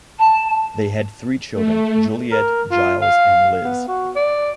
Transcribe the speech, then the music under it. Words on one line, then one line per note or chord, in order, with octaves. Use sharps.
They had three children Juliet, Giles and Liz.
A5
A3
A#4
F4
F5
B3
F#4
D5